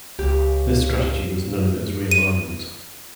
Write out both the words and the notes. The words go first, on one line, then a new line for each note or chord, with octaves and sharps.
This strategy was known as realignment.
C#2 G4
D#7